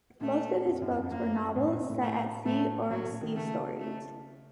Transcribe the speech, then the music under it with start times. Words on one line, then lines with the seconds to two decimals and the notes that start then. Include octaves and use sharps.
Most of his books were novels set at sea, or sea stories.
0.21 A#2 A3
0.65 F2
0.82 F#2
0.96 F2
1.11 F#2 A#3
1.56 A2
1.67 A#2
1.79 C3
1.90 A2
2.02 A3
2.45 A2 A3
2.91 A2 F#3
3.06 A#2
3.21 D#3
3.36 C#3 A3
3.80 A3